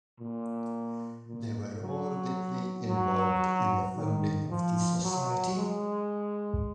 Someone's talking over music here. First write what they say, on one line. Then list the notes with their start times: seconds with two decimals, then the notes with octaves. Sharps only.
They were all deeply involved in the founding of the society.
0.20 A#2
1.27 A#2
1.81 F#3
2.88 F#3
3.96 D#3
4.50 F3
5.03 F#3
5.57 G#3